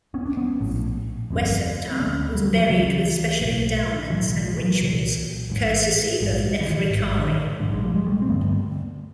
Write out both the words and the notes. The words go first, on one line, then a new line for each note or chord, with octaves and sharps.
Weshptah was buried with special endowments and rituals courtesy of Neferirkare.
B3 C#4
D4
B3 C#4
A#1 A2
G1 F2 D3
C4
D2 D3 B3 C#4
G3
F#3
F3 G3
G3
C#2 C#3 E3 F#3
B1 A2
B1 A2 E3 F#3
F3
E3 F#3
C2 A#2
A1 G#2
A#1 G#2
E3
D#3 F3
A1 G#2
D3
D#3
A#1 G#2 D3
G#3
F3 G3
G#3
G3 A3
C4
A1 G2 D3 A3 B3